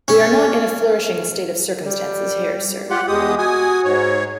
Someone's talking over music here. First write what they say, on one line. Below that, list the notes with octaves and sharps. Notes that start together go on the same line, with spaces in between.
We are not in a flourishing state of circumstances here, sir.
C#4
G3
F4 G4 F#5
E2 G#3 G4 D#6
F#4 G#5 D#6
G#2 C#5